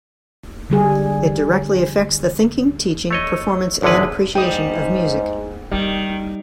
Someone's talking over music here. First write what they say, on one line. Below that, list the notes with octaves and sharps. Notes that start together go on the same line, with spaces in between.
It directly affects the thinking, teaching, performance and appreciation of music.
D3 G3 G#4
A3 C#5 D#5
G#1 E2 D3 G#3 B4
G#2 G3 D#5 G5
D#3 G3